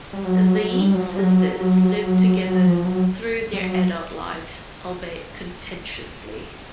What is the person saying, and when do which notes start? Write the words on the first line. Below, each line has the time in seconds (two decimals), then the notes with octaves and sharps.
The Yeats sisters lived together through their adult lives, albeit contentiously.
0.13 G3
0.25 F#3
0.81 G3
0.95 F#3
1.09 F3
1.16 G3
1.22 F#3
2.48 F#3
2.66 F3
2.85 F#3
3.53 G3
3.60 F#3